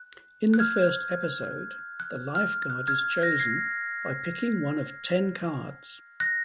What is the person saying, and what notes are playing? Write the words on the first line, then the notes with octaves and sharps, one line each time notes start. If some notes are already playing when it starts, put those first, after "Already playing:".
In the first episode, the Lifeguard is chosen by picking one of ten cards.
Already playing: F#6
F#6
F6 G#6
F#6
F6
F#6
F6 G#6
F#6 A#6
G#6 C7
F#6 A#6